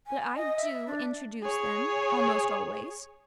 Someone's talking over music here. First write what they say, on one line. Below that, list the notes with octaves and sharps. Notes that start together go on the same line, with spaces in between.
But I DO introduce them--almost always.
G#5
D#5
E5
D4
G#4 C#5